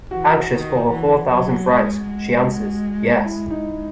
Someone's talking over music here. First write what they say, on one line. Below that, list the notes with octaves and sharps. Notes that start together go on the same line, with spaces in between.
Anxious for her four thousand francs, she answers 'Yes.'
E3 F#4
D#3
E3
F#3
G#3
G#3
F#4
E4
D#4